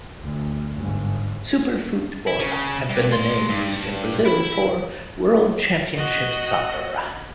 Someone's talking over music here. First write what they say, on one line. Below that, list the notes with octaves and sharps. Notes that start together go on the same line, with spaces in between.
"Super Futebol" had been the name used in Brazil for "World Championship Soccer".
D2
G1 G#2
E4
C#3 C#4
G2
A3 C6
G2
E4 B5
F#4 D#5